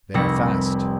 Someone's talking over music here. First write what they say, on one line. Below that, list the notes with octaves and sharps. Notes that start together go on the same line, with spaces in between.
They are fast.
F1 C2 C3 G3 A#6 C#7